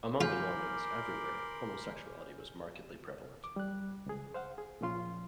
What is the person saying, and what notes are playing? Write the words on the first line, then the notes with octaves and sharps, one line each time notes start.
Among the Normans, everywhere, homosexuality was markedly prevalent.
F4 A#4 G#5 B5 C6 D6 F6 G6
D6
G3 F#6
C#2 G#4
C5 F5 F#5
G#4
A#2 F3 C#4 F4 C6